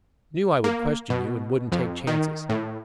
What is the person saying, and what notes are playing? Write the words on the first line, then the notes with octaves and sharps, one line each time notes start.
Knew I would question you and wouldn't take chances.
A#3
B2
F2
D#3
A2